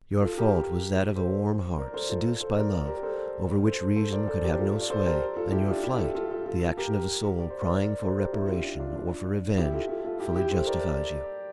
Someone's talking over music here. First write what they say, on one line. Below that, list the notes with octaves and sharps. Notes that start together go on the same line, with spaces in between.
Your fault was that of a warm heart seduced by love, over which reason could have no sway, and your flight-- the action of a soul crying for reparation or for revenge-fully justifies you.
F4 A4
G4 A#4
A4 C5
A#4 D5
A4 C5
F4 A4
A4 C5
A#4 D5
A#4 D5
G4 A#4
A4 C5
A4 C5
A4 C5
A#4 D5
A4 C5
G4 A#4
F4 A4
D5
A4 C5
G4 A#4
F4 A4
E4 G4
D4 F4
E4 G4
F4 A4
F4 A4
F4 A4
F4 A4
G4 A#4
D5
C5
A#4 D5
A4 C5
G4 A#4
E4 G4
D4 F4
D4
D4 F4
D4 F4
E4 G4
F4 A4
F4 A4
F4 A4
E4 G4
E4 G4
A4 C5
A#4 D5